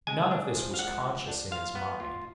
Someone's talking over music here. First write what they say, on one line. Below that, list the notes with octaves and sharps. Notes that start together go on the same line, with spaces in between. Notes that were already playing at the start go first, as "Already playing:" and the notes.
None of this was conscious in his mind.
G#3 G#5
D4
F3
F5
G#3 F#5
F3
D4
F4 F5
B3
F4